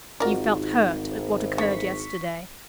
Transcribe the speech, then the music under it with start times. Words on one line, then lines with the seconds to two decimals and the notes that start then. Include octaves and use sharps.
You felt hurt at what occurred yesterday!
0.20 G#1 D#4 F4 F#4 A#4 D5
1.58 D3 C#6 B6